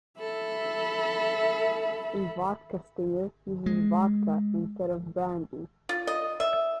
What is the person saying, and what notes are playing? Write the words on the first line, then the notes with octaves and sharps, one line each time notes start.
A "vodka stinger" uses vodka instead of brandy.
A4 E5 B5
G#3
F4
D#5
E5